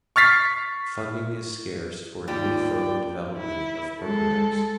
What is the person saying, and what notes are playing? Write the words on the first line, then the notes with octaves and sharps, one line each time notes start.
Funding is scarce for any further development of programs.
C#6 F6 A6 B6 C7
D#2 G3 F4 D5 G5
E4
G#3 A4